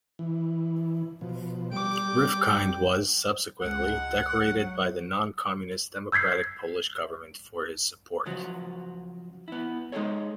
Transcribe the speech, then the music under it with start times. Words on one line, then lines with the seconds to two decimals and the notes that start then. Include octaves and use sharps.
Rifkind was, subsequently, decorated by the non-communist democratic Polish Government for his support.
0.19 E3
1.21 B2 F3
1.72 G3 G5 D6
3.61 C#2 G#3 F#5
4.44 F#3
6.12 E6 G6 G#6 B6 C7
8.26 C#3 F3 F#3 F#4
9.48 B3 E4
9.92 G#3 D#4 F4 G#4 A4 C#5